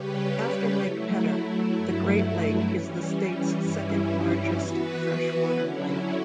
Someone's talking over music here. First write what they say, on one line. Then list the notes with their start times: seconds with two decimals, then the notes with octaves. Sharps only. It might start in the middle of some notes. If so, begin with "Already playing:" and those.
After Lake Pedder, the Great Lake is the state's second largest freshwater lake.
Already playing: C#3 G3 C#4 G4 B4
0.80 F#3 A3 E4
1.75 G2 F#3 A3 E4
2.69 E3 G3 C#4
3.63 G2 E3 G3 C#4 E4
4.58 E3 B3 F#4 B4
5.52 D3 F#3 C#4 E4